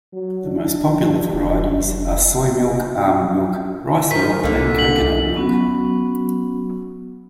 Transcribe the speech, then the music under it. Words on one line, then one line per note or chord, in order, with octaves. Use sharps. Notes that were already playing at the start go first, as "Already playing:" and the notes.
The most popular varieties are soy milk, almond milk, rice milk and coconut milk.
F#3
D4
F3
E1
F1
D#3 F3 B6
C2 D3 A#3
B6 F#7
F#3 B3 C#4 F#4